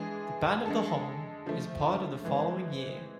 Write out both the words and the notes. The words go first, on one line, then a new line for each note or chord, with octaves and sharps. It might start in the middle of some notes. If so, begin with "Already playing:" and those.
The band of The Hon is part of the following year.
Already playing: E3 G#3 D4 G#4
G#3 D4 A4
D3 F3 A3
E3 G#3 C4